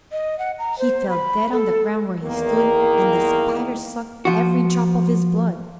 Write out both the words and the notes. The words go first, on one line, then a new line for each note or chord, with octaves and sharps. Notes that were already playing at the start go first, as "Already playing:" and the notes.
He fell dead on the ground where he stood, And the spider suck'd every drop of his blood.
D#5
F#5
A#5
C5
B5
A4
E2 D#3 A#3
F3 F#4